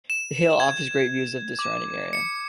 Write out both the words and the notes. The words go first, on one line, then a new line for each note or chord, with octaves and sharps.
The hill offers great views of the surrounding area.
E7
G#6
D6
C#7